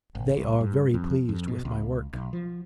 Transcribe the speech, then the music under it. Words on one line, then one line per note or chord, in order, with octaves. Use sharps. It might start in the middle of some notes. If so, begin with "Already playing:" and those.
They are very pleased with my work....
G#1
C2
G2
F2
F2
B2
C#2
B1
F3